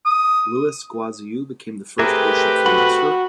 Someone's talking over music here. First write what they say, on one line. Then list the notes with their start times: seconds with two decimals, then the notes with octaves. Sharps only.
Louis Goaziou became the first Worshipful Master.
0.05 D#6
1.99 A3 C4 G4 G#4 A#4 B4 E5
2.66 F#4 B5